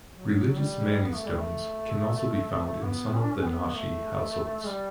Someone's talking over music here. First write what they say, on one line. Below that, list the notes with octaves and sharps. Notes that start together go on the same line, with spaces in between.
Religious Mani stones can also be found in some of the Nashi households.
F#3
F#3
G3
B3
A3
G3
A3
B3
C#4
D4
C#4
B3
A3
G3